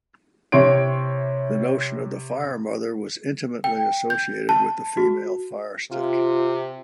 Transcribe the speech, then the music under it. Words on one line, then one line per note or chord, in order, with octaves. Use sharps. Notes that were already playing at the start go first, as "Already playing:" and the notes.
The notion of the fire-mother was intimately associated with the female fire-stick.
C3 E4 C#5 C6 D7
G5
G6
A5
F#4
C3 F4